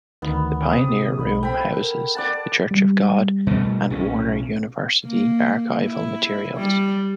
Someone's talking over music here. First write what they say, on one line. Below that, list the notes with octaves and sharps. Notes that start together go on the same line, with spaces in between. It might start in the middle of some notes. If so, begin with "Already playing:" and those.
The Pioneer Room houses the Church of God and Warner University archival materials.
D2 D#3 B3
C3 C4 D#6
B1 B5
A4 C5 G5 B5
A#4
D5 F#5 A5
G3
B2 A3
B1 C#4
A#3
E4
G3